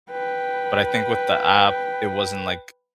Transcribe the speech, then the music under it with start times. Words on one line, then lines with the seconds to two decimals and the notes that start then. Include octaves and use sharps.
but I think with the app, it wasn't, like,
0.11 B4 G5